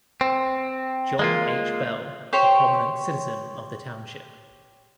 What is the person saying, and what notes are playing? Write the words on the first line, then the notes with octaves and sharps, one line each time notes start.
John H. Bell, a prominent citizen of the township.
C4
G#3 A#3 F4
G4 C5 C#5 C6